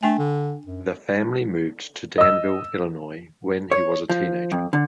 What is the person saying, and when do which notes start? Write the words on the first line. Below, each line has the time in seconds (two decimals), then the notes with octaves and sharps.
The family moved to Danville, Illinois when he was a teenager.
0.03 A3 D4 G5 G#5
0.18 D3
0.65 F#2
2.18 D#5 E6
3.71 C#5
4.09 F3
4.52 F2
4.73 D3